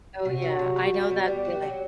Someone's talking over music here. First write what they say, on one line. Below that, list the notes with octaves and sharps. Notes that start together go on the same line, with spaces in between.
Oh, yeah, I know that feeling,
C3 F#4
F#3
C3
A3
G3
B3
G3 G4
F#4
F#3